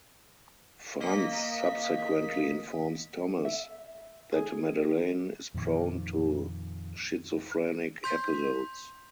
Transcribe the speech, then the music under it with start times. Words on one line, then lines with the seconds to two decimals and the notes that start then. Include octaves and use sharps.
Franz subsequently informs Thomas that Madeleine is prone to schizophrenic episodes.
1.00 A#3 D#5 B6
3.45 E5
4.32 G#4
5.54 F2 A#2 D#3
8.04 C6 G6 B6